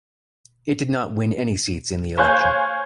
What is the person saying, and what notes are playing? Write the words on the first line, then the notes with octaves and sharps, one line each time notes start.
It did not win any seats in the election.
C5 C#5 F5 G#5 F#6 G6